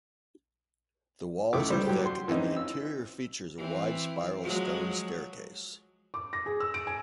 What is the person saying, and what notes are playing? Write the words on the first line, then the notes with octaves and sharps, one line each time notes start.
The walls are thick, and the interior features a wide spiral stone staircase.
C#2 A3 E4 D6
G3 C5
F#3 G4
C6
E3 C4 C#4 D#4
E6
E3 C4
F3 F#3 G#3
D6
A#6
G#4
E6
D7
G#5